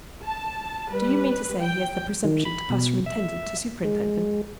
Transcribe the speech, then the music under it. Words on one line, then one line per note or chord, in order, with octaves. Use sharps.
"Do you mean to say he has the presumption to pass from intendant to superintendent?"
A5
G3 B4
G5
D#3
B5
B2
E5
G#3